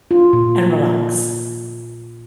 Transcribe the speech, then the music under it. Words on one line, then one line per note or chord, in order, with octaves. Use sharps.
and relax."
F4
A#2